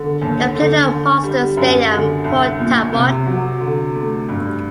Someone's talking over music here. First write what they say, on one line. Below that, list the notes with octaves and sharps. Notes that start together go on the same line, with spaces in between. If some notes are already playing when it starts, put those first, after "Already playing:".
They play at the Marston Stadium, Port Talbot.
Already playing: D3
D#2
D3
D3
G3
F#2
D3
C2
A#2
C3
F#3
D3
A3
G2